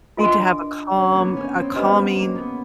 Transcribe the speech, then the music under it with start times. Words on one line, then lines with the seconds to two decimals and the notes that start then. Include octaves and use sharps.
You need to have a calm a calming
0.17 D4 F4 A#4 D#5 G#5 C6
0.96 C#4
1.11 A#3
1.16 B3
1.37 C#4
1.55 C4
1.75 B3 D4 G4 B4 D#5 F#5
1.96 C4
2.15 A#3
2.35 B3